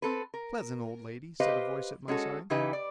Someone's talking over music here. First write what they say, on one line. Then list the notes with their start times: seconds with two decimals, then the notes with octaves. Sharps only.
"Pleasant old lady," said a voice at my side.
0.02 C4 A4 B4
0.34 A#4
1.40 G4 B4 C5 D#5 F5
2.08 G#3 C#4 F#4 A4
2.50 C#3 E3 D#4 G4 B4
2.73 D5